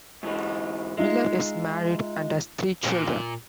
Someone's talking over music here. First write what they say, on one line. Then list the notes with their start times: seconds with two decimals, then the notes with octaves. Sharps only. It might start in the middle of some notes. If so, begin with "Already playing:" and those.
Miller is married and has three children.
0.23 G#2 E3 G#3
0.97 G#3 D#4 F4 E5
2.85 A#2